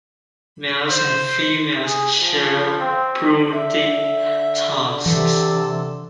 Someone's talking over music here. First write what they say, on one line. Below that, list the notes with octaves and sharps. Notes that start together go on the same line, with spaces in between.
Males and females share brooding tasks.
C5
G#4
F3
C4
D3 E5
C3 E3 A4